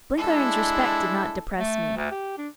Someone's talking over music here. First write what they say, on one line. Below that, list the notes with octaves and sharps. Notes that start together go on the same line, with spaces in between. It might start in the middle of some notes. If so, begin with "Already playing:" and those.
Blenkiron's respect did not depress me.
G#3 D4 E4 A4
A3
D2
G4
D4